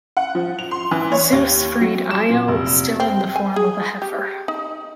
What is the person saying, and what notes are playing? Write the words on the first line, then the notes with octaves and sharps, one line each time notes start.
Zeus freed Io, still in the form of a heifer.
F#5
F3
F7
C6
E3
C#5
D#2
F#3
E7
A#2
F1
C4
G#5
G#4
G4
D#4